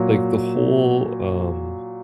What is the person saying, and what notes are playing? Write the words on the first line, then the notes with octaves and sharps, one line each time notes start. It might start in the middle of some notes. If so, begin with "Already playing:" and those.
like, the whole, um
Already playing: A#2 F#3